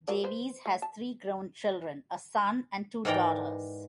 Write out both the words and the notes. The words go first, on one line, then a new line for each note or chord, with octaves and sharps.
Davies has three grown children, a son and two daughters.
F#3 A#4 D5
B4 C5
A3
A5
G#2 E3 A#4 D5 G5 A#5